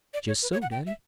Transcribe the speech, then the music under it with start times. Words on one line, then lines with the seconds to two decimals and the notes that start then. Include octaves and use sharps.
"Jist so, daddy."
0.14 D5
0.28 C#5
0.42 B4
0.52 C#5
0.62 F#5
0.71 G5
0.87 E5